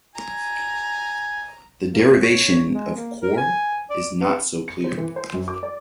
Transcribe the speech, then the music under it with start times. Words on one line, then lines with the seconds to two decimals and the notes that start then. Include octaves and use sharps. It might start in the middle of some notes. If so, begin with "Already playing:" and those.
The derivation of "cor" is not so clear.
0.16 G#5 A#5
1.94 A#3
2.23 C#5
2.74 G#3
2.96 A#3
3.23 A#4
3.37 G#5
3.90 D5
4.21 B4
4.68 C#7
4.84 C5
4.97 E3
5.16 C5
5.33 F#2
5.48 D6
5.63 D5